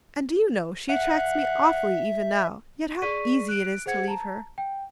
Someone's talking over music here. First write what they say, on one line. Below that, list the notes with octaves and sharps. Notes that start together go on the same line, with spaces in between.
And do you know she attracts me awfully even now, yet how easy it is to leave her.
E5 F#5
G#4 D5 C#6 B6 D#7
F#6 D7
G#4 C5 F#5 G#6 C#7
A5 A#5
G5